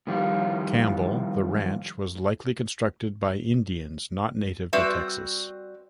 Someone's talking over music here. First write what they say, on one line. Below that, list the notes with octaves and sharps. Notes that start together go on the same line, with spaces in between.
Campbell, the ranch was likely constructed by Indians not native to Texas.
A2 D#3 F3 G3 F4
G3 C4 F#4 B4 D5 E5